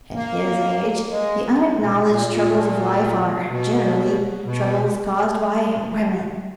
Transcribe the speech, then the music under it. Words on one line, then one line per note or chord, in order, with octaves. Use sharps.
At his age, the unacknowledged troubles of life are generally troubles caused by women.
A#3
G#3
B2
A#2
A#2
B2
B2